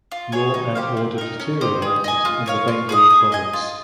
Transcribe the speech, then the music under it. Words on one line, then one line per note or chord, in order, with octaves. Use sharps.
Law and order deteriorated in the Bengal province.
F4
G#4 C#5 G#5
D#4
G4 C5 F5
C4
D#4 A#4
C#4
G4 C5 D#5
G#4
D#5 G#5
F4
A#4 C#5 F5
F4
G#4 C5 D#5
G#4
D#5 G#5
F4